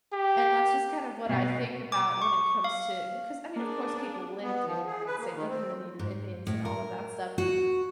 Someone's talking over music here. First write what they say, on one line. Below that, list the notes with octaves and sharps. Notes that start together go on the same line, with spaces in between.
And that's just kind of what I think about when it comes to because I mean, of course, people lived in United States, like, you know, the native Indians and all of that stuff.
G4
B2
D6
C#6
F5
A#3 D4 G#4
B3
F3
G#4
B4
A#3
D#3
C4
G#2
A2
A#4
F#4